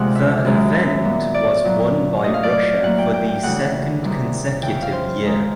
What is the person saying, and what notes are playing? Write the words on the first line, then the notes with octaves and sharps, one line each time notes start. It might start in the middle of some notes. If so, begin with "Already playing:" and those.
The event was won by Russia for the second consecutive year.
Already playing: D2 C3 F3 G#3 F#5
E5
F#2 D#3 G#3
E5
A#2 G3 B3
D5
A#2 F#3 B3
A2 F#3 A3 D#5
F5
D5
A2 F#3 A#3 F#5
G5
G5
G5
D2 C#3 E3 G3 F#5
E2 C3 D#3 G3
F2 C#3 E3 G5
F5
C5
G#2 D#3 G#3